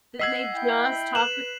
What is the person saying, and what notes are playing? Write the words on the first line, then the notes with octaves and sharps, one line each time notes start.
Didn't they just talk
D#5 F#5 E6 G#6 B6 C7 F#7
E4 G5
B4 F#6 E7 F#7